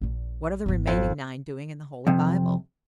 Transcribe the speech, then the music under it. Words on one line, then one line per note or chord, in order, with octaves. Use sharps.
What are the remaining nine doing in the Holy Bible?
A#1 A#2
G#1 B3
F2
F2 C3